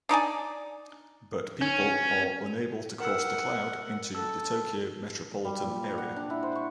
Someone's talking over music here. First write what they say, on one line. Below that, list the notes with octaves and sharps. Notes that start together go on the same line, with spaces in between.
But people are unable to cross "the cloud" into the Tokyo metropolitan area.
D4 D#4 D5 G#5
C#4
A#4 F#5 E6
A4 E6
G3
A#2
A#5
F#5
D4
E4
C5
C#6